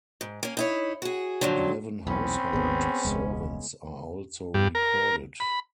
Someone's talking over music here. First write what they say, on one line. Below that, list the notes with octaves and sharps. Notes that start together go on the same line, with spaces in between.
Eleven household servants are also recorded.
G#2
A#3 C#4
D#4 E4 C#5
F#4 G#4
G2 A#2 D3 F3 F#3
B1 E2 C4 C#4 B5
G#1 D#2 B3 G#4
E1 C#2 G#3
G2
A#4
B5